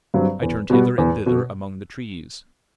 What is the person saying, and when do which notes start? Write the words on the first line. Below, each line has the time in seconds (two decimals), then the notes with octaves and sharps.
I turned hither and thither among the trees.
0.14 G2 F#3 C4
0.42 E2
0.70 B2 G3 B3
0.98 E2
1.26 B2